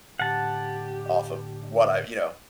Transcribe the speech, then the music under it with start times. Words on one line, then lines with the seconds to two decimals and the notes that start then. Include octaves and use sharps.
Off of what I you know,
0.20 A2 D3 G4 F#5 A5